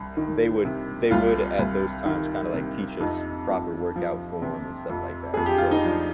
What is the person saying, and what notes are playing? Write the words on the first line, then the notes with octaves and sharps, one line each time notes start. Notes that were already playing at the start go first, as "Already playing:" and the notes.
they would they would, at those times, kinda, like, teach us proper workout form and stuff like that, so
Already playing: C2
D#3
C3
C2 F4
C2
D#3
C3
F2 D#4
F2
F3
C3
F2
F2 G#4
G4
F4
D#4
F3 D4